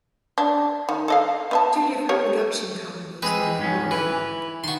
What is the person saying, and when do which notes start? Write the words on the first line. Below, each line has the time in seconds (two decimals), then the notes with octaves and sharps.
Two different production companies were involved.
0.38 D4
0.89 D#3
1.08 A4 D#5 F5
1.51 B3 E5 A5
2.09 G4 A#4 C#5
3.22 G#3 C4 G#4 B4
3.58 G#2 C#4
3.91 E3 B4
4.64 D#3 F#4 C6